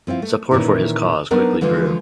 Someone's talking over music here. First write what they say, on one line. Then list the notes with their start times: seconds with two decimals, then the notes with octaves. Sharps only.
Support for his cause quickly grew.
0.07 F3 C4 E4 F4
0.22 A3
0.51 A#2 D#3 E3 C#4 E4
1.31 F#3 B3 D4 D#4 A#4
1.61 D3 E3 F3 G#3 F4